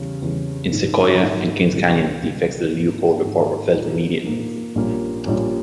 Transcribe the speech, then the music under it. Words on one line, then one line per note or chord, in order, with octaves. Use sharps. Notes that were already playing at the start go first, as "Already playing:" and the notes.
In Sequoia and Kings Canyon, the effects of the Leopold report were felt immediately.
Already playing: E2 C#3 G3
E2 C#3 G3
A#1 G#2 D#3
A#1 G#2 D#3
C#2 B2 G3
C#2 B2 G3
G#2 D#3 A#3 D#4
G#2 D#3 A#3 D#4
A#2 A#3 D#4
A#2 A#3 D#4
A#1 A#2 G3 A#3 C#4
A#1 A#2 G3 A#3 C#4